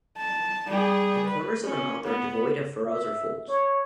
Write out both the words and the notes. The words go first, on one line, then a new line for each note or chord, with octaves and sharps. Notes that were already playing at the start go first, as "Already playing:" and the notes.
The corners of the mouth are devoid of furrows or folds.
A5
G3 G#4
B4
C#4
B3
E5
C#5